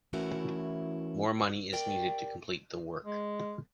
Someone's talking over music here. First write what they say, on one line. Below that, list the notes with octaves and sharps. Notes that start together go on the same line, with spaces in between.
More money is needed to complete the work.
E3 A3 C#4 E4 F#4 A#4
G4 A#4 D5 G5
G#3